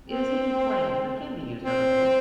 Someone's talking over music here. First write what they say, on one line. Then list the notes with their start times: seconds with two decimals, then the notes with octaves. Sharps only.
It is eaten plain, but can be used other ways.
0.04 C4
1.62 C4